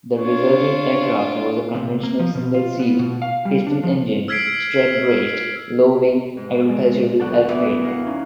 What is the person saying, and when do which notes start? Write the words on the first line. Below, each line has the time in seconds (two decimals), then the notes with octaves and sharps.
The resulting aircraft was a conventional single-seat, piston-engined, strut-braced low-wing agricultural airplane.
0.19 D4 F4 C#5
1.75 C3
2.03 A#3
2.19 F3
2.35 B2
2.54 F4
2.80 B3
2.99 B2
3.22 F5
3.45 G3
3.67 D4
3.84 F3
4.28 E6 F6 G#6 B6 C7 D7
6.37 G#2
6.70 G#3 D5
7.20 D2 B2 F#3 A4 D5 F#5
7.49 E3 B3
7.83 A#4 F5 F#5
8.07 C#4 D#4